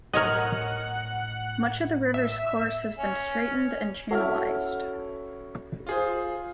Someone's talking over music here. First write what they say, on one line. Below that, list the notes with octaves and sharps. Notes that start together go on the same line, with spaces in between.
Much of the river's course has been straightened and channelized.
A2 A#4 C#5 D#5 F#5
E5
C#4
C#4 E4 F#4 A4 F6
F4 G#4 C5